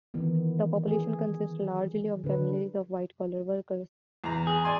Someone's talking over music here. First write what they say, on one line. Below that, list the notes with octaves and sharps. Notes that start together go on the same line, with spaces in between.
The population consists largely of families of white collar workers.
D#3 E3 B3
G#4
D3 D4 B4
E2 A#5
G#4
D5 G#5 C6